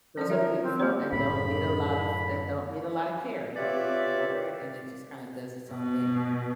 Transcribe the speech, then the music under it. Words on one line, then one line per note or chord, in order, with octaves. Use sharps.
those are beautiful and don't need a lot of and don't need a lotta care. You know, you can water it, and it just kinda does its own thing.
F3 C#4 D5
F4 A#4 E5
C4
A#3 G4 C5
F#2 A2 C#3 B5
F4 G4 B4 C#5 D5 E5
B2